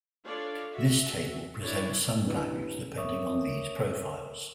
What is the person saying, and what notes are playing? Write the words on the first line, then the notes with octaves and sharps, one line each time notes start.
This table presents some values depending on these profiles.
D4 F4 A4 C#5 D5 F5
F#4 E5
D4 E4 C#5 D5
B3 C#4 D4 E4 G4 B4
A#4 C#5 D5 E5 C#6 D#6